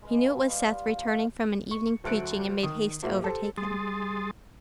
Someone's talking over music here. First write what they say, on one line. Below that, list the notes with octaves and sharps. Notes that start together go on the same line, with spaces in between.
He knew it was Seth, returning from an evening preaching, and made haste to overtake him.
G#3 B4 D#5 F5
G3 F4
F4
F3 A3 D#5
C#6
D2 F#3 A3 F#6 C#7 D7
D#3 D#6
G#2 F#3 A#3 E4 F#4
G4 A4 C5
G3 G#4 C6 D#6 A6